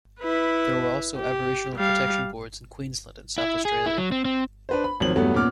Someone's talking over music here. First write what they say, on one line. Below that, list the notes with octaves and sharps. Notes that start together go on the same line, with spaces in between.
There were also Aboriginal Protection Boards in Queensland and South Australia.
E4 B4
G4
G3 F5
E4
G#4
E4
F#3
C4
C4
D4 B4 C5
B5
G#1 F3 F#3 F#7
E2 G2 F#3 A3 B3
A#2 B3 C#4 D6 F6